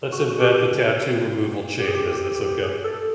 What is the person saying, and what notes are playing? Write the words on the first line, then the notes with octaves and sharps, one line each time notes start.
let's invent the tattoo removal chain business. Okay?
F#4
G4
G4
G#4
G4
G4
G4
G#4
A4